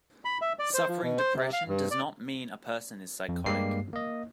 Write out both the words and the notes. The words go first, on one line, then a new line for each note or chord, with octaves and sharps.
Suffering depression does not mean a person is psychotic.
B5
E5
D5
C5
F3
B2
C5
C3
F5
G2
D5
F2
G2 G3 G#3 A#3 G4 C7
A#3 D#5